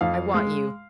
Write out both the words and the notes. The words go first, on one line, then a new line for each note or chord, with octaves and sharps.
I want you.
F2 F5
G#3